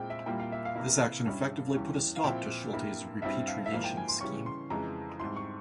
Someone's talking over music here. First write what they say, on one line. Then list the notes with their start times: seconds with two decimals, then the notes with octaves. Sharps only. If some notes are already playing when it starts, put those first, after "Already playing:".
This action effectively put a stop to Schulte's repatriation scheme.
Already playing: A#2 G#3 C4 E4 G5
0.10 E5
0.26 A#2 G3 A#3 E4 G5
0.40 F5
0.52 E5
0.65 F5
0.76 C3 E3 A#3 E4
1.25 G2 G3 C#4 E4
1.74 E2 E3 G3 C#4
2.16 F5
2.24 A#2 F3 C4 E4 G5
2.72 G2 G3 A#3 E4
3.22 G2 G3 C4 E4 E5
3.47 F5
3.66 E5
3.72 G#2 F3 A#3 E4 F5
3.84 G5
3.97 G#5
4.09 C6
4.21 C#3 E3 G3 C#4 C#6
4.46 C6
4.70 F2 C#3 E3 G#3 A#5
5.20 G#2 G3 C4 E4 C6
5.36 C#6